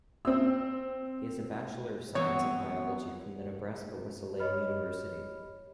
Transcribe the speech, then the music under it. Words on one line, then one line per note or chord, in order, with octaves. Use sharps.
He has a Bachelor of Science in Biology from the Nebraska Wesleyan University.
C4 E6
E3 F#3 B3 C4 C#5
G4 C#5 D#5 B5 F6